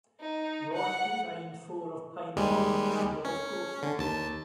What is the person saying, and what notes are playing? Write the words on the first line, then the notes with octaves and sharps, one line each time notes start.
Ross designed four of Pinehurst's golf courses.
D#4
F#5
D#2 G3 G#3
C#4
D3
D#2 A5